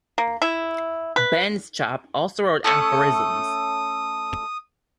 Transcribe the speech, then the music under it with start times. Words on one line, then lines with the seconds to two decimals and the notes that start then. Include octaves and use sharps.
Benschop also wrote aphorisms.
0.18 A#3
0.42 E4
1.16 B4
2.64 A3 C#4 A4 D#6